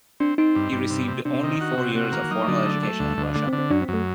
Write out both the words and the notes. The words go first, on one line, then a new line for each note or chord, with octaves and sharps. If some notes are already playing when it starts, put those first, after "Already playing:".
He received only four years of formal education in Russia.
C4 D4
C4 D#4
G2
G2
C3
C3
C3 D4
D#3
F#4
C3
A#3 F#4
D#3 A#3
D#3
F#3 D#4
D3 F#3
A3
A3
D2
D2
D3 A3
C4
D3
C4
F#2 D4
C4
F#2 A3